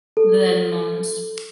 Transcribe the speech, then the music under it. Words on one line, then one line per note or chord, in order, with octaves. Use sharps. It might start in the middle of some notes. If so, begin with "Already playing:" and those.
Then mons.
A4